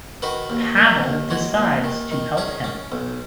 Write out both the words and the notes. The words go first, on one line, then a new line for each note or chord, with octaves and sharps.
Pavel decides to help him.
D#3 F#4 B4
D#2
D#3
D#2
G#3 F#4
D#2
D#3
D#3
C#4 G#4
C#4
B1